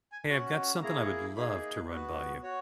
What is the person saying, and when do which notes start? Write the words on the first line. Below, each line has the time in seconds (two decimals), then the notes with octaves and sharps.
Hey, I've got something I would love to run by you.
0.12 G#5
0.29 C#4 F#4 F#5
0.82 A#3 E4 G#4 A#5
1.36 A#3 D#4 G#4 B5
1.49 E5
1.75 B4
1.90 B3 F#4 B4
2.43 F#4 C#5